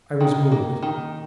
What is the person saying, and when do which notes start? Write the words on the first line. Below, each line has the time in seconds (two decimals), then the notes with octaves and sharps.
I was moved.
0.20 D#3
0.52 A#3
0.83 D#3